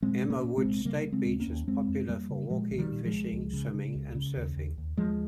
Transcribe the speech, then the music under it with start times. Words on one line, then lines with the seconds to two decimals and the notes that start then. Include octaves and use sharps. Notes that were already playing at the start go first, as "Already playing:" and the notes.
Emma Wood State Beach is popular for walking, fishing, swimming, and surfing.
0.02 A#2 G#3 C4
0.23 A#2
0.30 A#3 C#4
0.44 A#2
0.57 G#3 C4
0.65 C2
0.85 C#3 G3 A#3
1.06 C#3
1.12 G#3 C4
1.26 D#2
1.40 A#3 C#4
1.47 D#2
1.68 F2 G#3 C4
1.89 F2
2.09 F2 G3 A#3
2.30 C#3
2.50 A#2 F3 G#3
2.71 C2
2.78 D#3 G3
2.92 A#2
3.05 F3 G#3
3.12 C2
3.33 C#2
3.53 C#3
3.74 C#3
3.95 C#2
4.15 C#3
4.36 D#2
4.57 D#2
4.78 D#2
4.97 D#2 F3 G#3